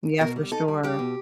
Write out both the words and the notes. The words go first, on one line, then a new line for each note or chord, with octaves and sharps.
Yeah, for sure.
B2 A#4
G3
D#4 A4
G3
G3 G4
B2